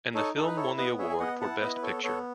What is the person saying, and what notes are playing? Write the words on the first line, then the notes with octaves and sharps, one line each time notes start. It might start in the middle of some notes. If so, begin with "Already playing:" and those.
And the film won the award for best picture.
D#4 A4 C#5
D#4 A4
B4
E4 A4 C#5
B3 B4 D#5
G#4 C#5 E5
G#5
B3 D#5 F#5
E4 F#5 A5
B3 B4 D#5
B4
A4 C#5
B3 A4 C#5